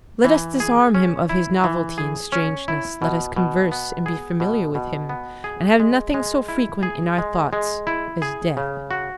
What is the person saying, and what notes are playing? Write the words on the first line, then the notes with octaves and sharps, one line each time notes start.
Let us disarm him of his novelty and strangeness, let us converse and be familiar with him, and have nothing so frequent in our thoughts as death.
E3
G#4
C#4
E4
E3
G#4
C#4
E4
B2
B2
B3
G#4
B2
B2
B3
G#4
G#3
G#3
E4
G#4
G#3
G#3
E4
G#4
C#3
F#4